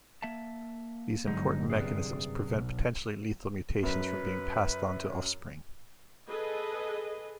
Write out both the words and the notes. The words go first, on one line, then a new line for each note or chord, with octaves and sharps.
These important mechanisms prevent potentially lethal mutations from being passed on to offspring.
A#3 E5 A5
G1 D3 F#3 G#3 D#4
F#2 A2 C3 G#4 B4 D5
B1
F#2 B4
G#4 A4 B4 D#5